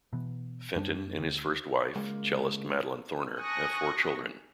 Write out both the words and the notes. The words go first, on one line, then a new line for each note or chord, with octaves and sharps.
Fenton and his first wife, cellist Madeline Thorner, have four children.
B2 E3 B3
F#2 G3 D4
D2
C#2 G#3 A#3
G#5 A5 C#6 D#6 F#6 A#6